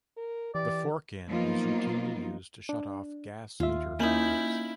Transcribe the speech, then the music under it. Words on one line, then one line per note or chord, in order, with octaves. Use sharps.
The fork end is routinely used to shut off gas meter valves.
A#4
E3 G4 D5
F3 F#3 A#3 B3 D#4 F4
D4
D#2 F4 E5
A#3 C#4 D#4 E4 G6 F#7